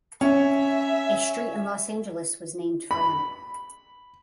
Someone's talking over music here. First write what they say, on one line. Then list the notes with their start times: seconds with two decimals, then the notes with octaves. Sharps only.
A street in Los Angeles was named for him.
0.21 C#4 E5
2.91 B5